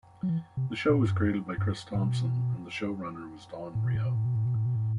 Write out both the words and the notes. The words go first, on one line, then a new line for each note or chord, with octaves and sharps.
The show was created by Chris Thompson and the show runner was Don Reo.
F#3
E3
C3
B2
A2
G2
F#2
G2
A2
B2
A2
B2
A2
B2
A2
B2
A2
B2
A2
B2
A2